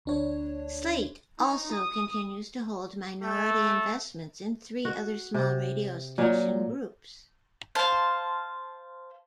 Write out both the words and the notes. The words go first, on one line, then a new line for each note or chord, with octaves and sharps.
Slaight also continues to hold minority investments in three other small radio station groups.
D2 D4 C#5
D#4
D#6
A3
F#4
C3
A#2 F#3
C5 F5 A5